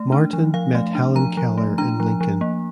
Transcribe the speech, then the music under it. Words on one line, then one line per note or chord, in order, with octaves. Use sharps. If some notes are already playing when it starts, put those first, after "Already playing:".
Martin met Helen Keller in Lincoln.
Already playing: A3
D4
F3
F3 F5
A3
D4
F3 A#5
F3
A3
D4 A#5
F3
F3
A#3